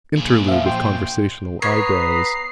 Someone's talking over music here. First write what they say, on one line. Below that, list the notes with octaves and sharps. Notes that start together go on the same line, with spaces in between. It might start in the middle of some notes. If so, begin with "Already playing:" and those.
Interlude of conversational eyebrows.
A#2 G#4
F3 E5 F5
G5 C6
B3 C#5 A#5 D#6 C7